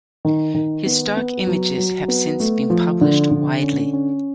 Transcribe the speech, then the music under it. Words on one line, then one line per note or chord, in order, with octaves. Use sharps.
His stock images have since been published widely.
D#3
D#3
B3
B3
F#3
F#3
B3
A3
F3
D3
D3
C#4
C#4